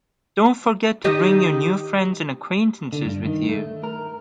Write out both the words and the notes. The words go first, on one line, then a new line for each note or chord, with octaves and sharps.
Don't forget to bring your new friends and acquaintances with you.
D#3 G4 D#5
D3
G2
D#3
A3
A#4